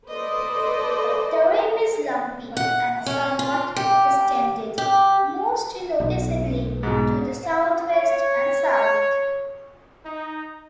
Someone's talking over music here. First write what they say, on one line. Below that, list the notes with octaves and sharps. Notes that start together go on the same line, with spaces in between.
The rim is lumpy and somewhat distended, most noticeably to the southwest and south.
A4 B4 C5 D5 D#5
F#5
C#4
F4
G4
G4
B1
G#2 B2
C#5
D#4